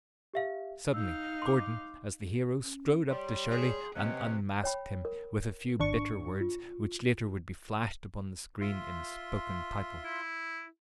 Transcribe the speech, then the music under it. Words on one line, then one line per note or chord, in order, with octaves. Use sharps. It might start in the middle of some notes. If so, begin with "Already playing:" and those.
Suddenly Gordon, as the hero, strode up to Shirley and unmasked him with a few bitter words which later would be flashed upon the screen in a spoken title.
G4 E5 F5
D#4 F5 E6
C6 D6
C#4
G3 C#5 C6
G#4
C3 A#3 B3 C#4 D#5 F#6
C#5 G5 B5
A#4
G#1 D4 C#6
F4
F4 E5 C6
E4